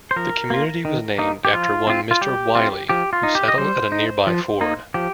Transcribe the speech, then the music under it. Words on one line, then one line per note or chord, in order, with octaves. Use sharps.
The community was named after one Mr. Wiley, who settled at a nearby ford.
C5
F3 A#4
A#3 F4
D#3
A#3 D#4
G4
F3 F4
C4 F4
F4
G3 G4
C4 F4
F3 G4
F4
D#4
G4
D#5
G3 C5
D#4
F3
A#3 D#4
F3 G4